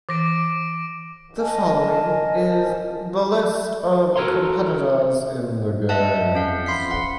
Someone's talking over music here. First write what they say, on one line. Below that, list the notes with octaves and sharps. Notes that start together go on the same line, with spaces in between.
The following is the list of competitors in the Games.
E3 D6 A#6 D7
A#4 D#5 G#5 A5
F#4 A4 A#4 C#5 A#5 C6
D#5 E5 F#5 A5 F#6
C#4 F5 F#5
F5 B5 C6 B6 C7
F#5